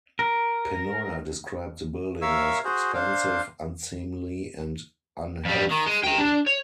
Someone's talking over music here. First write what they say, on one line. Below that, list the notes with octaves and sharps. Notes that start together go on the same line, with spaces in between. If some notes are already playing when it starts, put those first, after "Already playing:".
Pennoyer described the building as expensive, unseemly and unhealthful.
A#4
A#4 C#5 E5 F5 E6
F#4 G#4 C5
D4 C5 F5
F2 G3
D#3
G#3
G5 A#5
D4
C#5